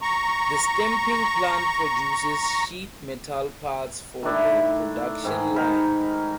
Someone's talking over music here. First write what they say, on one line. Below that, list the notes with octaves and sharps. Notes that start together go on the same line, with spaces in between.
The stamping plant produces sheet metal parts for the production line.
A#5 C#6
D#3 A3 D4 E4
G#2 D#3 G#4
D#4 A#4 B5